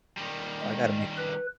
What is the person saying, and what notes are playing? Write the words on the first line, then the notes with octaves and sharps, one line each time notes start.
I gotta meet them up.
D#3 G3
G#3
B4